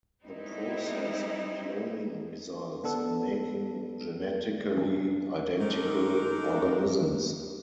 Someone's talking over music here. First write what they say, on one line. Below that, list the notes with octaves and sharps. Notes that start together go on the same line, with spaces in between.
The process of cloning results in making genetically identical organisms.
G3 G#3 C4 D#4 E4
B3 D4 A4 B4
D#3 G#3 D4 A4 A#4